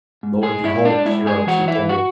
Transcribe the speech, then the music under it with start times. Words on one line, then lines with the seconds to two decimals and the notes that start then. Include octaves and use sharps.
lo and behold, here are people,
0.23 G#2
0.43 G#4 G#5
0.64 G#2 E4 E5
0.85 D4 D5
1.05 G#3 E4 E5
1.26 G#4 G#5
1.47 E3 F#4 F#5
1.68 E4 E5
1.89 F#4 F#5